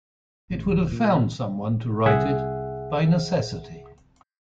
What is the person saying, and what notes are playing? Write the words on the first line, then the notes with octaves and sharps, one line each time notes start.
It would have found someone to write it, by necessity.
A1
D1
A#2
C2 G#4 E5 F#5